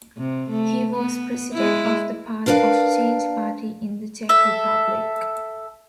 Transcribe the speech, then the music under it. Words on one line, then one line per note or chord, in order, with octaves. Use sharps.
He was president of the Path of Change party in the Czech Republic.
C3
A3
B3
G#3 E4
D4 A#4 B4 D5 F5
A4 E5